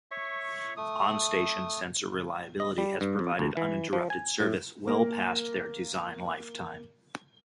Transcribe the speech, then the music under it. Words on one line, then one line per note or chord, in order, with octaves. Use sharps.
On-station sensor reliability has provided uninterrupted service well past their design lifetime.
C#5 E5 C#6
A3 D#6
D#5
G3
G2
F2
D2
E3
F3
G#5
A2
A#3 A#4